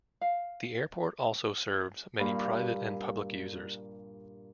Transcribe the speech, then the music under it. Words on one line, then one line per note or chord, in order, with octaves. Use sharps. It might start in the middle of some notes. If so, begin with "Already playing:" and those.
The airport also serves many private and public users.
F5
G2 A#2 F5 B5